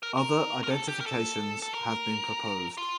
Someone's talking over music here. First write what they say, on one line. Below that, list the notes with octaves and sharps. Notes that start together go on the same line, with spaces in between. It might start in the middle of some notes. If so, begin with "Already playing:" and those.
Other identifications have been proposed.
A#4
A#4
A#4
A4
G4
A#4
A4
A4
A#4
F4